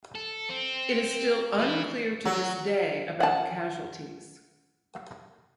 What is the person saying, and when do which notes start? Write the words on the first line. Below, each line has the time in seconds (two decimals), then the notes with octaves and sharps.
It is still unclear to this day about the casualties.
0.15 A4
0.49 C4
1.59 E3 E4
2.25 F#3
3.20 F#5 A5